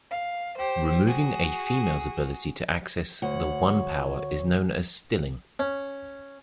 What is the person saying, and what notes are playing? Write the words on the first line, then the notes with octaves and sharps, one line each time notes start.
Removing a female's ability to access the One Power is known as "stilling".
F5
G4 C5
F#4 G#4
D2 C#5 F#5
C#4